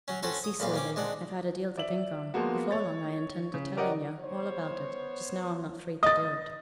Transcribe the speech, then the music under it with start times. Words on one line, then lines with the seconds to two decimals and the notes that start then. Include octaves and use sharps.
'You see, Sylvie, I've had a deal to think on; before long I intend telling yo' all about it; just now I'm not free to do it.
0.08 F#3 C#4
0.23 C4 C#4 F#4 A4 C5 C#5
0.44 D#6
0.60 B1 A#2 C#3 C4 F5
0.74 C4 C#4 D6
0.96 G#3 C4 D4 F#5
1.77 D5 E5 F#7
2.34 F3 G#3 A#3 B3 F#4
2.71 C#5 A6
3.54 C#3
3.77 C#4 G4 A#4 D5 D#5 F#5
4.20 B3 C5 C#5
6.03 D#5 D#6 A6